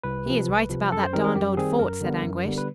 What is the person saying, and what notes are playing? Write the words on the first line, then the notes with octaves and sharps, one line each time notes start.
"He is right about that darned old fort," said Anguish.
C2 B4
C3 F3
C2
C3 F3
F#2 A4
C5
D#3 G3 C4 A#4
A#4
F#2 G4
D#3 G3 C4 G#4
F#2 A#4
D3 G3 B3
F#2
D3 G3 B3
B4